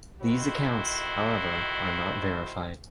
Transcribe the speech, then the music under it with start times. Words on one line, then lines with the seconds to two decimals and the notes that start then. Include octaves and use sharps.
These accounts, however, are not verified.
0.21 F2 D#3 E4 F#4 C5